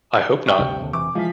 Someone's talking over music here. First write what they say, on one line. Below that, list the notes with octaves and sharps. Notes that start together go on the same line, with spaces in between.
I hope not.
G5 C#6
G1 D2 G2 C3
D#2 D3
E1 E3 D6
E3 F3 G#3 F5 B6